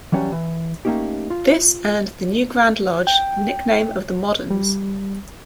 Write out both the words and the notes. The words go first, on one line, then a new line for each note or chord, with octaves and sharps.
This earned the new Grand Lodge the nickname of the "Moderns".
E3 F#3 G3 C#4
E3
A3 A#3 C#4 D#4 G4
F4
G5
G3